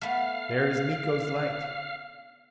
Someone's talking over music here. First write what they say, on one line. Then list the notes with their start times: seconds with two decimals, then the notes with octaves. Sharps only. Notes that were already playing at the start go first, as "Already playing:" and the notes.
"There is Miko's light!"
0.02 A3 B3 F5